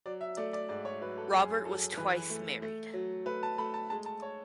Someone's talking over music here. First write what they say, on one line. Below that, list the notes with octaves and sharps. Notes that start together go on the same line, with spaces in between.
Robert was twice married.
F#3 D5
E5
A3 D5
D5
G#2 D5
C#5
F#3 B4
A4
F#2 G#4
F#2 A4
E3 B4
A3
A3
F#3
A3 B4
A5
A3 B5
A5
G#3 A5
A5
C#5